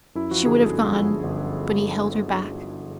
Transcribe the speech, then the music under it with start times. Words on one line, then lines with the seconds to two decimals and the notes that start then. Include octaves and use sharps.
She would have gone, but he held her back.
0.15 F#2 E4
0.31 F3 F#4
0.46 D3 G#4
0.62 G1 A4
0.78 F#2
0.92 F3
1.08 D3
1.23 G1